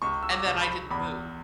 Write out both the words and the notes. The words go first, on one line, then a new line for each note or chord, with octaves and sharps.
and then I didn't move.
C#2 C#6
E6
D6
C#2
B5
E2 B5